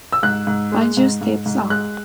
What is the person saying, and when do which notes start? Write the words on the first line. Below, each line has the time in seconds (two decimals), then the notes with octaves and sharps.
Banjo Steps Out.
0.13 E6
0.23 G#2 F#6
0.47 G#2
0.72 G#3
0.97 G#2
1.21 G#2
1.46 G#2
1.70 G#3 F#6